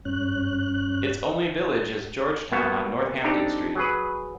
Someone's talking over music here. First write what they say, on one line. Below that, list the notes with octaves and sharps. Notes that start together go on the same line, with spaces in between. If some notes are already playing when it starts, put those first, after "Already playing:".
Its only village is Georgetown on Northampton Street.
G2 C#4 F#6
A#3 B3 F#4
C4 D4 D#4 G4 A4 D5
F#3 G#4 B4